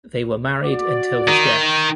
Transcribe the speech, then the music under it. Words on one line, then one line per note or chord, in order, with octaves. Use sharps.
They were married until his death.
F#4 D5
D#3